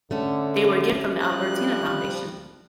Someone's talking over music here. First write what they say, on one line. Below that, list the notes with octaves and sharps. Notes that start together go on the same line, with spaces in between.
They were a gift from the Albertina Foundation.
D3 A3 C#4
F3 G3 F#6